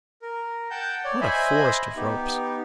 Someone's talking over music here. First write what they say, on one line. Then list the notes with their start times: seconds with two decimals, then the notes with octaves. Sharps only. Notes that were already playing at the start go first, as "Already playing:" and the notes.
What a forest of ropes!
0.22 A#4
0.71 F#5 G5 A5 G6
1.05 C#5 D5
1.21 C5 D#5 E5 G#5 B5
1.96 B3 D#4 G4